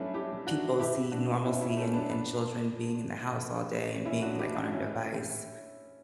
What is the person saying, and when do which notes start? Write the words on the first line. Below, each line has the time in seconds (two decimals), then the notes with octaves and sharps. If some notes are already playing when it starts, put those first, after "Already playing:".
people see normalcy and and children being in the house all day and being, like, on a device,
Already playing: F#3 G3 A3 B3 C#4 D4 E4
0.14 E4 G4
0.47 D4 F#4
0.80 E4 G4
1.11 D4 F#4
1.44 C#4 E4
1.61 C#4 E4
1.77 A3 C#4
1.93 B3 D4
2.10 B3 D4
4.05 C#4 E4
4.22 D4 F#4
4.39 E4 G4
4.55 D4 F#4
4.71 C#4 E4